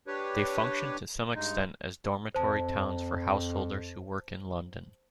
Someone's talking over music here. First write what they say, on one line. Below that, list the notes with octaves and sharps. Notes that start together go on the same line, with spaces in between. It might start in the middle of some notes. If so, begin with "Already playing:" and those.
They function to some extent as dormitory towns for householders who work in London.
D4 G4 B4 C#5
G2 G#3 D#4
F2 C5 A5